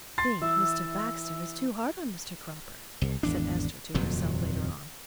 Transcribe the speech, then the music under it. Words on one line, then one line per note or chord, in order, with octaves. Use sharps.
"I think Mr. Baxter is too hard on Mr. Cropper," said Esther to herself later on.
C6 A6 C7
E3 E5
C2
G#1 E2 D4
D#1 F2 C3 F#3